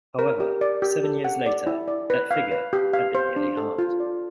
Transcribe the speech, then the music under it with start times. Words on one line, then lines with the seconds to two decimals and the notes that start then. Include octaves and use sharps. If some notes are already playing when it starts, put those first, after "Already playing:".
However, seven years later that figure had been nearly halved.
0.19 A#4
0.40 G4
0.61 D5
0.82 G4
1.04 A4
1.25 F#5
1.46 D5
1.67 E4
1.88 D5
2.10 B4
2.31 F5
2.52 B4
2.73 G4
2.93 F5
3.15 C5
3.36 D4
3.57 A4
3.78 F4
4.00 D5